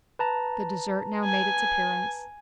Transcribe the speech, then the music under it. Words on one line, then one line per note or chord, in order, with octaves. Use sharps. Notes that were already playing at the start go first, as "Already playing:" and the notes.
The dessert now made its appearance.
B4 A5 A#5
G#5